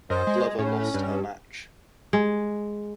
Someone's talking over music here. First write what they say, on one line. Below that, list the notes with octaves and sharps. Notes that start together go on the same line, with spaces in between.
Glover lost her match.
F#2 C5 D#5
G#3
A2 C#4
G2
G#3